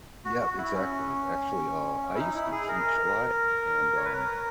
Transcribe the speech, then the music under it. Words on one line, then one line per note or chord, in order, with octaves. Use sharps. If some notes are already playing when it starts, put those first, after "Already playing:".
Yup, exactly. Actually, uh, I used to teach a lot, and, um,
F#4
F#4
E4
C#4
E4
D#4
E4
G#4
A#4
C#5
B4
A#4